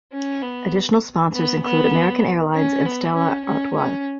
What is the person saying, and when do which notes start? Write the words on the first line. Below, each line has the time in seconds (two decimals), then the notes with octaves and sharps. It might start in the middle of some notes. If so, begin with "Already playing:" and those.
Additional sponsors include American Airlines and Stella Artois.
0.12 C#4
0.42 B3
1.33 B3
1.63 B3
2.55 C#4
2.85 B3
3.15 C#4
3.45 C#4
3.76 C#4